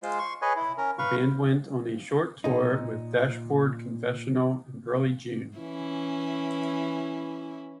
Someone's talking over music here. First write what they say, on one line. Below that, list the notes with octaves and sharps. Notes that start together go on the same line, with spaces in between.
The band went on a short tour with Dashboard Confessional in early June.
G#3 F4 C5
C6 C#6
G#4 B4 C#5 D#5 G#5
E4
C#4 A#4
B4 F5 C#6
A#2 D#4
E3 C#4 E4